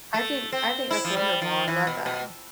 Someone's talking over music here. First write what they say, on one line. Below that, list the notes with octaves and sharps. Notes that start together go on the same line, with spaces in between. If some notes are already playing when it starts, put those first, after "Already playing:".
I think I think that's wonderful, I love that.
A3
C4
E4
F3
G3
F3
E3
B2
B2